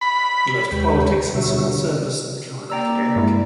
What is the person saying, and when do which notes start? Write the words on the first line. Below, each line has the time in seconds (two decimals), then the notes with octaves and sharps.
He left politics and civil service to become an academic.
0.01 B5
0.71 D#2 G#3 G4 B4 C#5 G5
1.34 B2 D3 G3 F#4 C#5 E5
2.70 A#3 D5 G5 A#5 E6
3.16 G2 G#3 E4